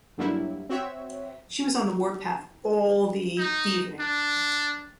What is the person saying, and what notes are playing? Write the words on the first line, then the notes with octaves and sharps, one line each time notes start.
She was on the warpath all the evening.
G2 D3 F#3 G3 A#3 E4
C4 F#4 C#5 E5
D#4
D4